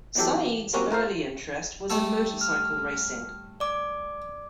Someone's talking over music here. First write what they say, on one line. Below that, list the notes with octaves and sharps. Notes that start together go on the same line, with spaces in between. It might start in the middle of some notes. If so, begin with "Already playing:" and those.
Said's early interest was in motorcycle racing.
B2 E3 F#3 G4 A4
F#3 G3 A#3 C4 C#4 F#4
F4 A#4 C5 F5
G3 A3 A4
F6
D5 D6